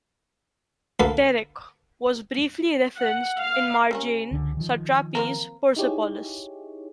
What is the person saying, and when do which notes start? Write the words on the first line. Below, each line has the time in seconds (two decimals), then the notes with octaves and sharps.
"Derrick" was briefly referenced in Marjane Satrapi's "Persepolis".
1.00 D2 A#3 A4 B4 F5
2.96 F#5
3.39 F5
3.91 G3 A#3 C#4
4.31 C#2 D3
4.57 D#3 F3
5.15 A#3 C4 A#4
5.76 D#4 E4 G4 G#4 C#5